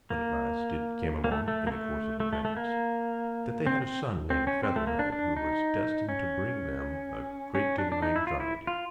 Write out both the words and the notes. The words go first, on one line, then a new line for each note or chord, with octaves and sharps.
But at last it came along, in the course of events, that they had a son named Featherhead, who was destined to bring them a great deal of anxiety.
A#3
A#3
A3
A3
A#3
A3
A3
A3
A3
A#3
C4
C4
C4
C#4
C4
A3
A#3
D4
D4
D#4
C#4
C#4
D4
D4
D#4
E4
F4
E4
F4